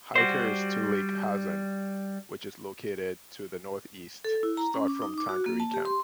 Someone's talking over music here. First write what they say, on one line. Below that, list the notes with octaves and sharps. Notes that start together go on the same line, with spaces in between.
Hikers to Lake Hazen, which is located to the northeast, start from Tanquary Camp.
G3 F#4 C5
A4
E4
A#5
C#4
D6
D#4
D6
F#4
A#3
A5
G4
C6